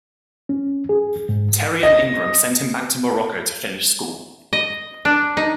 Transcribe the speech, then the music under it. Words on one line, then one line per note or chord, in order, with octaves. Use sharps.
Terry and Ingram sent him back to Morocco to finish school.
C#4
G#4
G#2
D#5
D#5
D4
D#4